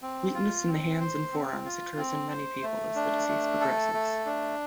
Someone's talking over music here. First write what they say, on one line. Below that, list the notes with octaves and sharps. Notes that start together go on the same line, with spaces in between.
Weakness in the hands and forearms occurs in many people as the disease progresses.
C4
F4
C4
C5
C4
F4
C4
C5
A3
D4
A3
A4
A3
D4